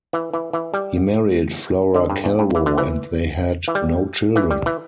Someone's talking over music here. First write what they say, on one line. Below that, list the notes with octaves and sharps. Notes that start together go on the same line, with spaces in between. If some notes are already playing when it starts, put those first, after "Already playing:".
He married Flora Calvo and they had no children.
E3
E3
E3
G3
D3
G2
E2
G2
E3
D3
E3
E3
G3
E3
G3
E3